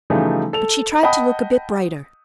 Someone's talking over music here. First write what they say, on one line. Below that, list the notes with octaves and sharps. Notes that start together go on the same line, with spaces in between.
But she tried to look a bit brighter.
C#3 E3 F3 G3 A3 D#4
A4 F7
D#5 F#5 G5 A5 B5 D#6